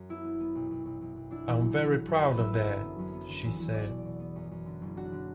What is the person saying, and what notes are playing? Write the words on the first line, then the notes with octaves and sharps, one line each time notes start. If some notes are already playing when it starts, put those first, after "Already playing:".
"I'm very proud of that," she said.
Already playing: F#2
B3 E4
B3
B3
B1
B1
B1
B1
B1
D4 E4
E2
F#3
B2
F#3 F#4
F#2 A4
E4 B4
F#3 E5
F#2 E5
D3
B3
F#2
B3
D3
E2
E2
B3 D5
B2
B2
B3
F#2
F#2
D3
F#1
D4 F#4
D3